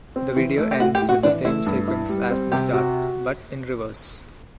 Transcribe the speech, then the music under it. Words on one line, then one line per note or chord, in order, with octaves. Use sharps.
The video ends with the same sequence as the start, but in reverse.
C4
E3
A3
G4
A2 F#4
G4
A2
F#4
E3 D4
A3 E4
G2
E4
G3
C4
C3 G4
F#4